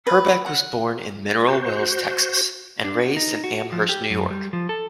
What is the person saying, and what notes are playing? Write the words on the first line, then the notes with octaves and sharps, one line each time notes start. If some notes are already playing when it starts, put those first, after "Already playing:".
Herbeck was born in Mineral Wells, Texas, and raised in Amherst, New York.
B4
F#5
F#4 C5
D4
F#4
D#4
F#4
F3
G4
F#2
G3
F3
A4